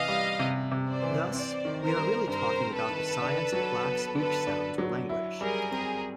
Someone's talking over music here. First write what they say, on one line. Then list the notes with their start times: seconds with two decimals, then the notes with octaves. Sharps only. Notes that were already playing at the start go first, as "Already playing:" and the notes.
Thus, we are really talking about the science of black speech sounds or language.
Already playing: C3 E3 D#5 F5
0.08 G3
0.39 C3
0.71 C3
0.87 C5 D5
1.02 E3
1.33 C4 C5 D5
1.65 D#3
1.81 A#4 C5
1.96 G3
2.27 G2 A#4 C5
2.59 C4
2.74 A4 B4
2.90 D#3
3.22 D4
3.52 F#3
3.84 B3
4.15 D3 A4 B4
4.47 D4
4.78 F#3
5.09 E4
5.41 G3 G#4 A#4
5.72 C4 G#4 A#4